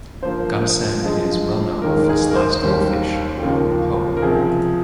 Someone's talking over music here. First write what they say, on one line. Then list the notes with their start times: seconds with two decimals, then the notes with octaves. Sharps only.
Gunsan is well known for sliced raw fish, or "hoe".
0.22 G2 F3 A#3 C5
1.03 G2 F3 G#3
1.82 D#2 D#3 G#3 A#4
2.04 A#4
2.09 G#4
2.31 A#4
2.36 C5
2.62 D#2 D#3 G3 A#3 C5
3.42 D#2 C#3 F3 A#3
4.17 A#4
4.22 C#2 C3 F3 G#4